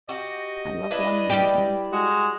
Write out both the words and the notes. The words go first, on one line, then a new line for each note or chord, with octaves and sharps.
I love one man here.
F#4 G4 D#5
D4 E4 B4
G3 G4
G#3 F#4